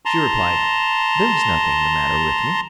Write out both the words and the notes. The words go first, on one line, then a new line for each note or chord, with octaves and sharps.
She replied: "There is nothing the matter with me."
A5 A#5 C6